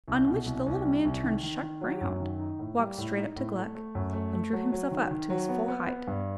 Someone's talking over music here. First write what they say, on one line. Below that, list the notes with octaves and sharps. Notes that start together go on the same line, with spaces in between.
On which the little man turned sharp round, walked straight up to Gluck, and drew himself up to his full height.
C2
B2
C2
C2
G3
C2
D#3
D#3
D#3
F#3
F#2
D#3
D#4
A2
G3
A2
D#4
A2
A3
A3
F#2
A3
A3
F#3
F#3
D#3
D#3
F#3
B3
B3
B3
G2